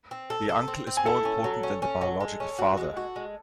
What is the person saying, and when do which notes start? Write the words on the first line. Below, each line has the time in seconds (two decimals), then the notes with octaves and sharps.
The uncle is more important than the biological father.
0.11 C4
0.30 A4
0.49 A4
0.68 C4
0.87 C4
0.97 G#5
1.05 E4 A4 A5
1.25 C#4
1.44 F#3
1.63 C#4
1.82 C#4
2.01 F#3
2.20 G#3
2.40 C#4
2.59 F#4
2.77 G#3
2.97 F#4
3.16 G#3